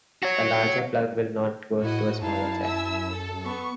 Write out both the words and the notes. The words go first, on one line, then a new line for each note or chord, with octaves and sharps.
A larger plug will not go into a smaller jack.
F#4 C#5
A2 E4 F#4 D#5
F#2 D#4 E4 F5 A5
E5 E6
A4
B3 C#6